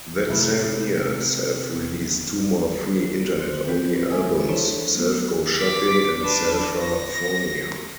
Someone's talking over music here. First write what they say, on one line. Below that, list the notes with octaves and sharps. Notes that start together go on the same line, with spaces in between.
That same year, Self-released two more free Internet-only albums, "Self Goes Shopping" and "Selfafornia".
C3 A3 E4
C5 F#6
E3 C4 B6
G#3 D4 E5 G#5
E3 D4 E4 A4 C5 C#5
F#3 A3 B3
D6 B6
D4 B4
A#6